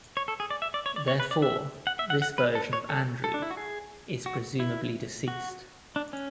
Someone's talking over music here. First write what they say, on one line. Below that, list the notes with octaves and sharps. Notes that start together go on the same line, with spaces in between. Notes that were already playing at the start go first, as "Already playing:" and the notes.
Therefore, this version of Andrew is presumably deceased.
C#5
A4
G#4
D5
E5
D5
C#5
D5
C#5
B4
D5
E5
F#5
E5
F#5
F#5
B4
A4
C#5
A4
A4
D4
E4
F#4
G#4
F#4
E4
F#4
D4
C#4